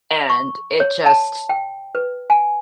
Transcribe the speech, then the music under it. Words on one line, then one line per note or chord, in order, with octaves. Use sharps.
and it just
C#6
C#5
A5
G5
B4
G#5